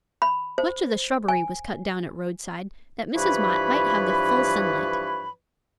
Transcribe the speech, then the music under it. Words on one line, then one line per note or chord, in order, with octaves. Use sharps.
Much of the shrubbery was cut down at Roadside, that Mrs. Mott might have the full sunlight.
B5
C5
G#5
G2 E3 F3 B4 C#5 B5